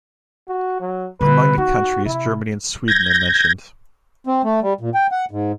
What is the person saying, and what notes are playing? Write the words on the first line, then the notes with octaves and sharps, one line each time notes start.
Among the countries Germany and Sweden are mentioned.
F#4
F#3
D3 G3 B4
D#4 F#4
C3 E4
G6 G#6 A#6
C4
A3
G3
A#2
G5
F#5
G#2